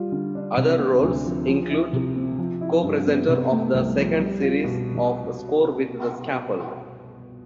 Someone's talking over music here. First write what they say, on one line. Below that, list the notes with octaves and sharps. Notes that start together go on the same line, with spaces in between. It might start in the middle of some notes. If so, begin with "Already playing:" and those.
Other roles include co-presenter of the second series of "Score With The Scaffold".
Already playing: G3 F4
D3
D4
C3
C4
D2
F3
F3
E4
C3
C4
F3
E4
G2
B3
C3
A3
C2
F3
G3
F4
B2